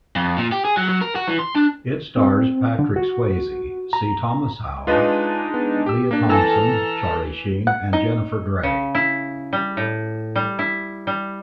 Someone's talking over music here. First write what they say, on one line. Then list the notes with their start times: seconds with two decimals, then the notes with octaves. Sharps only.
It stars Patrick Swayze, C. Thomas Howell, Lea Thompson, Charlie Sheen, and Jennifer Grey.
0.16 F2
0.38 A#2
0.52 G4
0.65 G#4
0.77 F#3
0.89 F#3
1.01 A#4
1.15 F#4
1.28 E3
1.39 C6
1.55 D4
2.17 C4
2.79 D3
2.96 F#4
3.93 A#5
4.87 G#3 D4 D#4 F4 B4 D#5
5.54 B3
5.86 G4 E6
6.11 A#3 D4
6.29 E3 A4 G#5 A#5 F6
7.67 F#5
7.93 D#4
8.63 C#3
8.95 E4
9.53 G3
9.77 A2
10.36 G3
10.59 E4
11.07 G3